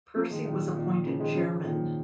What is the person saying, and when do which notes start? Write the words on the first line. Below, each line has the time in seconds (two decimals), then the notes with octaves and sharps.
Percy was appointed chairman.
0.16 F3 A#3
0.30 D#3 G#3
0.45 A#2 D#3
0.75 A#2 D#3
1.05 C#3 F3
1.20 D#3 G#3
1.35 C#3 F3
1.65 A#2 D#3